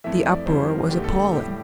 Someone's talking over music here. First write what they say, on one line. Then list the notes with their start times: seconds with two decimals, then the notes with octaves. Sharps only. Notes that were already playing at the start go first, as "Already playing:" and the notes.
The uproar was appalling.
0.04 F2 E3 A3 E5
0.25 D5
0.46 F2 E3 G3 C5
0.68 A#4
0.89 E2 D3 A3 G4
1.04 A4
1.10 G4
1.33 A2 G3 G4